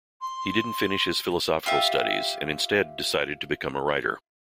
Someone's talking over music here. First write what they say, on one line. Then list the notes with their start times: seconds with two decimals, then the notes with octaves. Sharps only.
He didn't finish his philosophical studies and instead decided to become a writer.
0.21 C6
1.66 F4 G4 E5